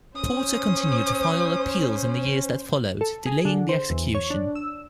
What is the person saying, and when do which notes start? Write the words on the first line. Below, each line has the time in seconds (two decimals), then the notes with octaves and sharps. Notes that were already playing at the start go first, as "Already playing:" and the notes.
Porter continued to file appeals in the years that followed, delaying the execution.
0.16 C#4 C5 D#6
3.01 A4
3.26 G#4
3.45 D3
3.69 C5
3.90 E2
4.15 C#5
4.30 D4
4.55 E6